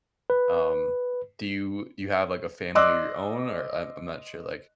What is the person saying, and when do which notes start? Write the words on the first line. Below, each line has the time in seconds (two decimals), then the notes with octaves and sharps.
Um, do you you have, like, a family of your own, or I'm I'm not sure. Like
0.30 B4
2.75 D5 D#5 C6 D6 E6 F#6